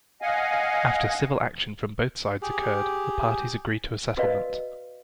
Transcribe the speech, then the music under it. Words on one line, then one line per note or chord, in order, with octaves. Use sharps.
After civil action from both sides occurred, the parties agreed to a settlement.
D#5 F5 F#5 G#5
G4 G#4
F#4 A#4 B4 D5 D#5 F5